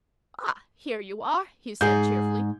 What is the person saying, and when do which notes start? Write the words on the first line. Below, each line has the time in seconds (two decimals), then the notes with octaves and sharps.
"Ah, here you are," he said cheerfully.
1.81 G#2 G#4 G6